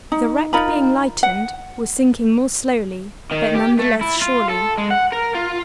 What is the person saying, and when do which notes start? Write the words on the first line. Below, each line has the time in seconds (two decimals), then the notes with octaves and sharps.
The wreck being lightened, was sinking more slowly, but none the less surely.
0.12 D#4
0.53 D#4 F4 A#4 B5
1.23 F#5
3.31 D#3
3.55 G4
3.79 A3
4.01 E4
4.22 F4
4.50 A4
4.78 G#3
4.91 F#5
5.12 A#4
5.35 F4